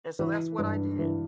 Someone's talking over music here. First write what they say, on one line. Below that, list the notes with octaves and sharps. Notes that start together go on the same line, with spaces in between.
and so that's what I did,
E3 B4
G2
E3